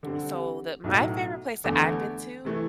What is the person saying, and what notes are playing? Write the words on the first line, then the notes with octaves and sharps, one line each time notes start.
so the my favorite place that I've been to,
D3 G3 C4
B1 A2 F#3
E2 D3 A3
C3 E3 A3